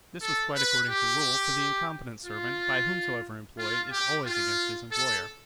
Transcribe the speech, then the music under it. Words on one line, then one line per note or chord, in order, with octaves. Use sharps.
This was quite according to rule, for the incompetent servant, by whomsoever employed, is always against his employer.
A4
B4
G4
F4
F4
G4
F4
A4